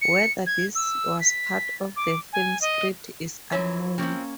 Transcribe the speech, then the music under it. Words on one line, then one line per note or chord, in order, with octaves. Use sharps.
Whether this was part of the film's script is unknown.
C#7
G#6
E6
B6
D6
G#5
D#5
F#2 E3 F#3 C#5
F3 A#3 C4 C#4